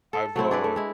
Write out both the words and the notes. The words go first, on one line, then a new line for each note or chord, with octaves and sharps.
I've, uh
A4
F#3 A3 C4 E4
D4 G#4 B4
A3
G#3 E4